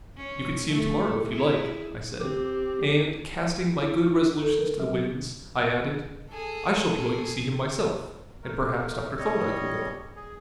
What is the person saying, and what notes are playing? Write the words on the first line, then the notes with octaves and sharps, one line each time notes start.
"You can see him to-morrow, if you like," I said; and, casting my good resolutions to the winds, I added: "I shall be going to see him myself, and perhaps Dr. Thorndyke will go."
C#4
A3
E4 G#4
C4 G4
E4
D#4
A4
A#4
F#3
G#4 A4
A3 A#4
G3 C#5 D#5
G#4